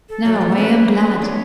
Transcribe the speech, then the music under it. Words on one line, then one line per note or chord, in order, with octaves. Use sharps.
Now I am glad!'
A4
F#3 A3
A3
G3 B3
B3
A3 C#4 B4
B3 D4 C#5